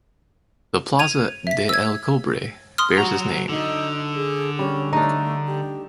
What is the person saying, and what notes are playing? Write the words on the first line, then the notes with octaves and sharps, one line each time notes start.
The Plaza de El Cobre bears his name.
G#6 D#7 F7
E5 B6
E6 G#6
C6 D#6 F6
F#3 F#4 A#5
D3 D#4
G#4
G3 C#4
A3 D4 D#4
G4